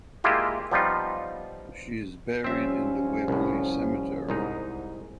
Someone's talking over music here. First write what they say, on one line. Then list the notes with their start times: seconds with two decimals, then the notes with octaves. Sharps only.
She is buried in the Waverly cemetery.
0.24 G#3 A#3 E4 F4 G4
0.71 F3 G3 B3 D#4 F4
2.44 F3 G3 C4 C#4 E5
3.28 C2 A2
4.29 C2 G#2 D#4